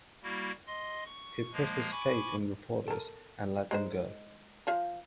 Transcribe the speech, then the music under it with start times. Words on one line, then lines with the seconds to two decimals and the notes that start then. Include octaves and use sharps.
He put his faith in reporters and let them go.
0.23 G3 A#3 E4 F#4
0.67 D#5 C6
1.06 C#6
1.53 F3 G#3 A#3
1.91 G#5 B5 C#6 D6
2.88 A4 A#4
3.71 G#3 D#4 C5
4.67 F3 F4 F5